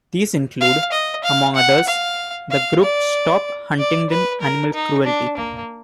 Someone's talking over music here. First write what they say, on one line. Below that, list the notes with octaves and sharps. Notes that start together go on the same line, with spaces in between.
These include, among others, the group Stop Huntingdon Animal Cruelty.
F5
D#5
F5
F#5
F5
F5
D5
D5
B4
A#4
D#4
D4
A#3